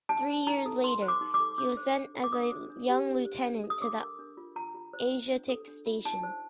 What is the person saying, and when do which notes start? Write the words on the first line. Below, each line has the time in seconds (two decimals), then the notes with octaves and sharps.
Three years later, he was sent as a young lieutenant to the Asiatic Station.
0.09 D#4 A5
0.28 C5
0.47 D#4 A#5
0.66 A4
0.84 D#4 C6
1.02 C5
1.08 D6
1.21 D#4
1.34 D6
1.40 A4
1.58 D4 D6
1.77 C5
1.96 D4
2.14 A4
2.24 D6
2.32 D4 D#6
2.51 C5
2.69 D4
2.88 G4
3.08 D4
3.25 C5
3.44 D4
3.64 A4
3.70 D#6
3.82 D4 D6
4.00 A#4
4.19 D4
4.37 F4
4.56 F4 A#5
4.74 F4
4.93 C5
5.11 C5
5.31 D4
5.49 A4
5.68 D4
5.86 F4
6.05 D#4 A5
6.23 C5